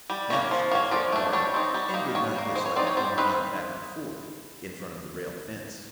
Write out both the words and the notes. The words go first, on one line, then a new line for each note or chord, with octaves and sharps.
Now she preferred the garden, and did not dislike to promenade back and forth in front of the railed fence.
G3
A#3 C#4
F3
A#3 C#4
F3 D5
A3 D4
G3 C#5
C4 D#4
G3
A#3 D#4
D#3 C#5
G3 A#3
G#3 C5
C#5
C4 D#4 D5
C#5
G3 C5
C4 D#4 B4